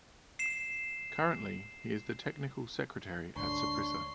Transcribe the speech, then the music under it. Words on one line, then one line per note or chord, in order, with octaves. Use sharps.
Currently, he is the technical secretary at Saprissa.
C7 E7
D2 G#2 A3 D4 C#5 C6